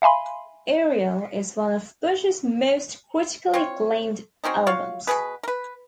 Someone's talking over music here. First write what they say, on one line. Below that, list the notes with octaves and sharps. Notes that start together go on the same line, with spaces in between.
"Aerial" is one of Bush's most critically acclaimed albums.
E5 F5 G#5 B5 C6
C4 F4 C#5
F#3 C4 C#4 D#4
F4 F#4 C#5 F5
B2 A#3 G#4 B4
A#4 B4